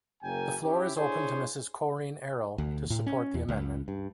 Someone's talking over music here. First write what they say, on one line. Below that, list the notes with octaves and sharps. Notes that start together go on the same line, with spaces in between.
The floor is open to Mrs Corinne Erhel to support the amendment.
F#1 C#3 A#3 A#4 G5 G#5
C#4 E4 G4
D4 E4 G#4 C5 C#5 G#5
D2
A2
C#4
E2
C#2
G2